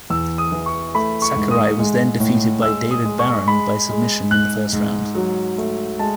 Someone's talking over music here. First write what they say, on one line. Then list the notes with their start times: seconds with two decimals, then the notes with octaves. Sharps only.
Sakurai was then defeated by David Baron by submission in the first round.
0.10 E2 E6
0.38 D#6
0.52 E3
0.66 C#6
0.95 A3 B5
1.22 C#6
1.36 G#2
1.51 D#6
1.79 G#3
2.20 A2
2.62 G#3 E6
2.91 D#6
3.05 G#3
3.19 C#6
3.47 G#3 B5
3.90 G#3
4.31 G#2 F#6
4.73 G#2
5.15 F#3
5.58 A3
5.99 G#3 A5